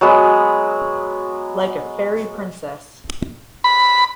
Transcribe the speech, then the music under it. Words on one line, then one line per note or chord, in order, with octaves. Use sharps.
Like a fairy princess.
F#3 G#3 B3
B5